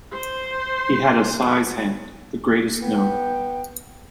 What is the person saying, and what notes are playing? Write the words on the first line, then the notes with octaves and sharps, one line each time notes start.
He had a size hand, the greatest known.
C5 C6
B3 G5